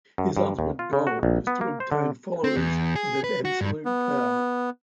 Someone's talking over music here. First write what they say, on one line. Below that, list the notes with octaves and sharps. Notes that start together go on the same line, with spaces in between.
His ultimate goal is to obtain followers and have absolute power.
F#2
G2
D#2
F4
C#3
F#4
A#1
B3
A#3
C5
D3
C4
E2
G#4
B4
F#4
G2
B3